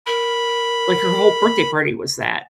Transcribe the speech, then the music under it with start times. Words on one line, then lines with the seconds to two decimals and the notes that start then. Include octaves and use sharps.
like, her whole birthday party was that.
0.07 A#4 B5